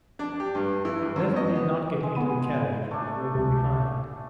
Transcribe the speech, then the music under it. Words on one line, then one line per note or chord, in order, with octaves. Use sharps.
Levin did not get into the carriage, but walked behind.
D4
G4
G2
E3
G2
F#2
D#5
B3
G#3
B3 B5 D#7
A3 D4
C#2 C3